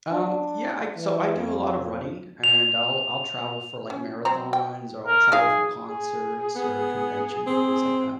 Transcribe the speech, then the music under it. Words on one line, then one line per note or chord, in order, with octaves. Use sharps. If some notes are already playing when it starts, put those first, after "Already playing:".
Um, yeah. I so I do a lot of running, and I'll I'll travel for, like, marathons, or I'll travel for concerts, or convention and things like that.
D4
E3
F2
F7
C#4
F#3 C4 A#5
G5
A#4
F#3 D#4 G#4 F5
G#4
B3
C4